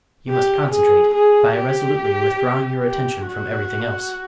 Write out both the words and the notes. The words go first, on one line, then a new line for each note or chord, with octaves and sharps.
You must concentrate by resolutely withdrawing your attention from everything else.
G4
G#4
G#4
G4
G4
F#4